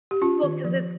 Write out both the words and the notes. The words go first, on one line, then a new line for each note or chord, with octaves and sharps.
Well, 'cause it's
G4
C#4 F4
D#3
F3